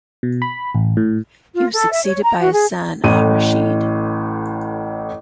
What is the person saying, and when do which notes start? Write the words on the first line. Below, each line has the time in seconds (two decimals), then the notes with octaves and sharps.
He was succeeded by his son Al-Rashid.
0.23 B2
0.42 B5
0.75 A1
0.97 A2
1.54 F4
1.73 A4
1.90 E5
2.04 C#5
2.23 A#5
2.41 F#4
2.53 G#4
3.04 A1 A2 D#7